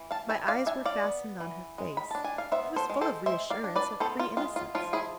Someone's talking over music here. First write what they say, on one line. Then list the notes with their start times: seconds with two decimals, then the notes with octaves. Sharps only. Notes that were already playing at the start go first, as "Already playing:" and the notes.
My eyes were fastened on her face: it was full of reassurance, of free innocence.
Already playing: E3
0.11 F5 A5
0.30 E3 E5 G#5
0.48 D5 F5
0.66 D4 E5 G#5
0.86 D5 F5
1.04 B3
1.40 E3
1.78 G#3
1.97 B5
2.11 D4 A5
2.24 G#5
2.38 F5
2.52 B3 C5 E5
2.76 A4 C5
2.90 G#3
3.01 A4 C5
3.26 G#3 C5 E5
3.50 D5 F5
3.64 D4
3.76 B4 D5
4.00 B3 A4 C5
4.20 F4
4.37 G#3 F4
4.56 F4
4.75 F3 F4
4.93 E4 G#4